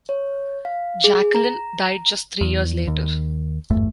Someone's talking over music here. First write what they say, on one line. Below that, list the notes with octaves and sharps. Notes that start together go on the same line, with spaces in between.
Jacqueline died just three years later.
C#5
F5
G#4
A#5
E2
D#2
G#1 E2 G2 A3